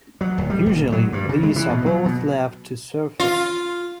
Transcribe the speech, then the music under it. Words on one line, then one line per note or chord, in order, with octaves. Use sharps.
Usually these are both left to surfers.
F#3
D1
G3
D#1
F#3
G2
C#3
G#3
E3
B2
F#3
B2
F4